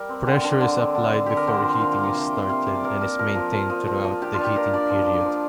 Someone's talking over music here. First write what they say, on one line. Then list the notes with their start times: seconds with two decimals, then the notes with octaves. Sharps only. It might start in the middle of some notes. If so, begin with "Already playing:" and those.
Pressure is applied before heating is started and is maintained throughout the heating period.
Already playing: G3 G4 A#4 D5
0.09 C4
0.27 D3
0.43 D4 A#4
0.61 D3
0.78 D3
0.95 D3
1.13 D3
1.26 D3 G4
1.37 A#4
1.47 D3 C5
1.64 F3 D5
1.81 A#3 F5
1.92 G5
1.99 A#3 A#5
2.15 C3 C6
2.26 D6
2.33 C3
2.39 C6
2.49 C3 F5
2.66 C3 D5
2.84 A#3 A#4
3.01 A#3 A#4
3.19 F3 A#4
3.35 F3
3.53 F3
3.70 F3
3.87 F3
4.04 F3
4.22 D4 G4
4.34 F4
4.39 D4
4.44 G4
4.56 A#3 A#4
4.73 D4 D5
4.90 F3
5.02 D5
5.07 D4
5.13 D5
5.24 F3